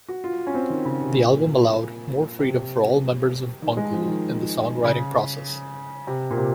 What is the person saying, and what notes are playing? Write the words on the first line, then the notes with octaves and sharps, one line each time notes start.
The album allowed more freedom for all members of Bungle in the songwriting process.
F#4
F4
C#4
C4
D#3
C#3
C3
A#2
C3
D#3
G#3
F3
D#3
C#3
C3
A#2
C3